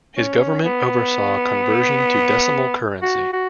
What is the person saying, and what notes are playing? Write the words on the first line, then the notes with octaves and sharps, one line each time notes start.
His government oversaw conversion to decimal currency.
C#4
B3
F#4
F#4